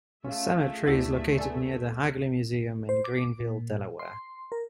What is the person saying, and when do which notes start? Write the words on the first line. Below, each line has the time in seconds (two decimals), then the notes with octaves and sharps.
The cemetery is located near the Hagley Museum in Greenville, Delaware.
0.24 A3 C#4 F4 G#4 E5
0.86 D2 B3 E4 G4 D5
1.39 B3 A4 D5 G#5 A5
2.89 C5
3.04 D6
3.40 A#2
3.99 C6
4.52 A#4